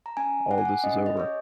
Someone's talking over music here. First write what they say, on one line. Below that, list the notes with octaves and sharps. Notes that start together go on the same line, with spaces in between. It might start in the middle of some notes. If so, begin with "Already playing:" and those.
all this is over,
A#5
C#4 G#5
G#4 F#5
G#5
F#5
C#4 D#5
D#5
G#4 C#5